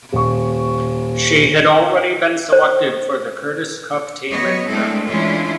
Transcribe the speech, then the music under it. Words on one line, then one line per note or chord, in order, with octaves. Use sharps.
She had already been selected for the Curtis Cup team at Muirfield.
D#1 C#6
C5
F#3 B3 C#5 D#5
G#3 A3 C4 D4 E4 A4
E3 G#3 C#4 D4 E4 F4